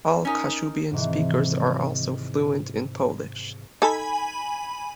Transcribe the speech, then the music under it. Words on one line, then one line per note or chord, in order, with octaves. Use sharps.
All Kashubian speakers are also fluent in Polish.
C#4 D#4 A#4
G#2 C3 D#3 E3
D#4 A4 G#5 B5